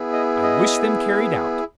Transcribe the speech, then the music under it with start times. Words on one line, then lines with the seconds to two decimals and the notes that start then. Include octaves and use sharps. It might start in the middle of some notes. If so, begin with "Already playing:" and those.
I wish them carried out.
Already playing: B3 E4 G#4
0.13 D#5
0.43 D#5